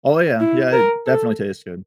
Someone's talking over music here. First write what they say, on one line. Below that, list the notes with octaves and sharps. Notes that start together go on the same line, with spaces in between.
Oh yeah, yeah, it definitely tastes good.
E4
A#4
A4